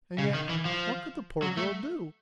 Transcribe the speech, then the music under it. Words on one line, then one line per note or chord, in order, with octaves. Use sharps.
And yet, what could the poor girl do?
C#3
D#3
E3
F3
F#3
A3